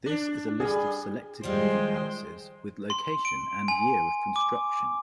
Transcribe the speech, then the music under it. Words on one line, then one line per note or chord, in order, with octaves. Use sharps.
This is a list of selected movie palaces, with location and year of construction.
D4
G3 G#4
D#3 F3 G3 G#3 C5 G5
C6
D7
G#5
D6